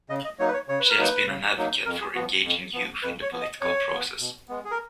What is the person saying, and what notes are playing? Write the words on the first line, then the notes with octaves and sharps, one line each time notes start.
She has been an advocate for engaging youth in the political process.
C#3 D#5
D#5
F#3 A#3 D#4 C#5
B4
C#5
C#3 C#5
B4
A#4
F#3 A#3 D#4 B4
C#3
F#3 A#3 D#4
F2 A#4
G#4
F3 B3 F#4
F2
F3 B3
F2 B4
C#5
F3 B3
D#5
F2 C#5
F3 B3
B2
G#3 B3
G#4
A#4